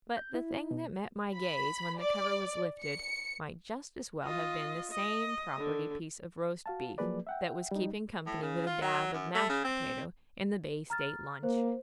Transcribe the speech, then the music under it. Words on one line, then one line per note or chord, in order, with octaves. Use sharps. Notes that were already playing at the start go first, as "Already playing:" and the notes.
But the thing that met my gaze when the cover was lifted might just as well have been the same property piece of roast beef that was keeping company with a dab of mashed potato in the Bay State Lunch.
G6
E4
B2
B5
D5
C#7
F4 D#5
D#5
D3
F#4 F5 A5
F3 F#3 A#3 G#4 B4 D5
E5 F#5 G5
G3 D#4
A2
C#3
F4
F#3
F#2
A3
C#3
C4
A#5 F6 A6
A#3 C5